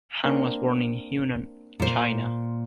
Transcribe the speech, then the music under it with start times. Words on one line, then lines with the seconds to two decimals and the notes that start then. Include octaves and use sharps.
Han was born in Hunan, China.
0.24 A#3 C4 D4
1.80 A#2 C5